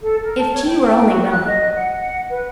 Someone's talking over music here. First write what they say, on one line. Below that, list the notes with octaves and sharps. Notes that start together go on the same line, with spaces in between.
If T. were only willing!...
A4
A#4
A5
C#5
G5
G5
F#4
F#6
D#5
F#5
F#5
B4